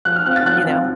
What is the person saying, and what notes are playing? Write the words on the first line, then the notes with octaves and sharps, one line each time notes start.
You know?
F3 F#6
F6
C4 F4 F#6
A6
F3 F#6
C4 F4